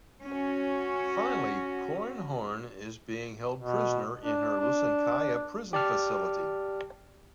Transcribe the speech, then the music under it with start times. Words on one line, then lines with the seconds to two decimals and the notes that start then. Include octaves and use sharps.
Finally, Corran Horn is being held prisoner in her "Lusankya" prison facility.
0.24 C#4 F#4
3.58 B2
4.23 D4
4.59 D4
5.73 G4 D5 A5 F6